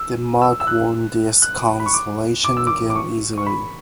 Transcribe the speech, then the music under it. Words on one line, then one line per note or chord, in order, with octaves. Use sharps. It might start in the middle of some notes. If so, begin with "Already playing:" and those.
Denmark won this consolation game easily.
Already playing: E6
E6
E6
F#6
F#6
B5
C#6
D6
D6
E6
D6
D6
C#6
C#6
B5